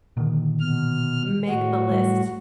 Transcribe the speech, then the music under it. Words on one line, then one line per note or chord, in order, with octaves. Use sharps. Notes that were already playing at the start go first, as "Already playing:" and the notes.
make the list
A#2 D3 D#3
B2 F6
A2 F#4
G3